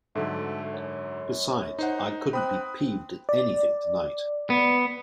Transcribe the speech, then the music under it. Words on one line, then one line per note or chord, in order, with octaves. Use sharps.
Besides, I couldn't be peeved at anything tonight.
G#2 D3 F#3 A3
F#2
D#4 C5 F#5
C4 B5 D#6 F#6
D5
B3